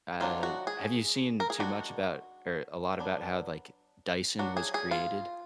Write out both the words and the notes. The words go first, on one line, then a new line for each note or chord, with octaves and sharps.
uh, have you seen too much about or a lot about how, like, Dyson was created?
D#3 F#3 D4 F4
F#4
G#4
A#4
G#4
D#3 G#3 D4 F#4
F#3 B3 D4
F#3 D4 F#4
G#4
G#4
F4